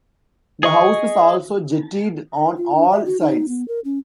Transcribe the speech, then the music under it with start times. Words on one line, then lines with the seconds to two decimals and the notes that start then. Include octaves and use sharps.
The house is also jettied on all sides.
0.63 G#4 D#5 C#6
2.56 F4
2.76 D4
2.91 E5
3.05 F#4
3.20 D#4
3.48 B3
3.68 A#4
3.85 C#4